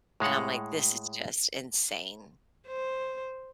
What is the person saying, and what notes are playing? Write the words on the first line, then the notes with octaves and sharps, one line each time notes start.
and I'm like, "This is just insane."
A2 G#3 F5 F#5
C5